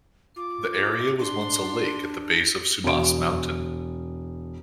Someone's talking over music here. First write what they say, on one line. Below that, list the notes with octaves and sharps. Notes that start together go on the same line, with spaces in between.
The area was once a lake at the base of Sumas Mountain.
F4 D6
D4 C6
E1 D7